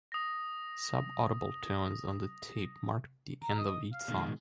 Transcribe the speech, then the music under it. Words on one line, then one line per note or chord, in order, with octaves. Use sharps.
Subaudible tones on the tape marked the end of each song.
D#6 A#6
A#5
D#5
F5
B2 D#3 G#3